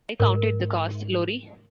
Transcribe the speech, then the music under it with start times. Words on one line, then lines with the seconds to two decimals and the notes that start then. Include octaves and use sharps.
I counted the cost, Lori.
0.20 G#2 A#4